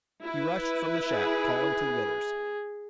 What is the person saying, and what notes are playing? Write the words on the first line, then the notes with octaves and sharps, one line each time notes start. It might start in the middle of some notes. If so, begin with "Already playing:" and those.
He rushed from the shack, calling to the others.
E4 B4
G#4